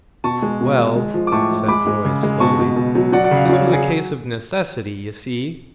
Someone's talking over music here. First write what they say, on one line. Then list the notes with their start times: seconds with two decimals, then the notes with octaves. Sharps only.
"Well," said Roy slowly, "this was a case of necessity, you see."
0.24 B2 A5 C#6
0.42 G#3
0.61 B2
0.78 G#3
0.96 G#3
1.14 F3
1.27 D6
1.32 A2 A5 C#6
1.51 F3
1.68 G#3 B5 D6
1.87 G#3
2.05 C#3
2.23 G#3
2.40 B2 A5 C#6
2.59 B2
2.76 B2
2.95 F#3
3.13 F#3 D5 F#5
3.24 D5 F#5
3.31 C#3
3.37 F5
3.45 D5
3.50 F#3 C#5 F5
3.67 F#3
3.73 G#4